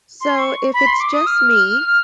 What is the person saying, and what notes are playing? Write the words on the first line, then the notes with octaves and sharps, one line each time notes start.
So if it's just me,
C6
C#6
B5
C6
D6
D#6
F6